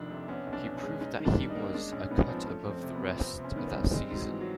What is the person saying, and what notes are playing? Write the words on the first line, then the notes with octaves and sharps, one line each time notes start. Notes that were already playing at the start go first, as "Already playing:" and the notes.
He proved that he was a cut above the rest that season.
Already playing: F1 F2 D#3 D4
C3
B3 C#4
B1
D4
B2
C#4
G#3
C#4 D#4
D#3 D4
G3
D#4
A#3
G#3 D4
A#1 C#4
G#2 B3
F3 C4
A3 C#4
F2
C4
C3
B3
F3
C3 C4
C3
C#4
D#3 B3
C4
G3
G#3 C4
G#2
F#3
E3
F#3